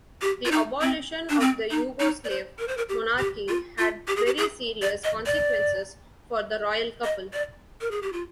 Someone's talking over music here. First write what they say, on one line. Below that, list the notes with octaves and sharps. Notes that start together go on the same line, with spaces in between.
The abolition of the Yugoslav monarchy had very serious consequences for the royal couple.
G4
F4
D#4
C4
D4
C4
D#4
D#4
D5
C5
A#4
C5
A#4
G4
G4
F4
F4
G4
G#4
G4
G#4
D5
D#5
D5
D#5
D5
A#4
G#4
G4
F4